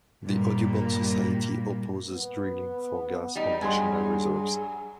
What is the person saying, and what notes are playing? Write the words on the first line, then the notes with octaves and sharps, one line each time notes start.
The Audubon society opposes drilling for gas on national reserves.
G2 A#2 G3 A#3
B3
G3 D#4
G2 F#3 G3 G#4 G#5 C6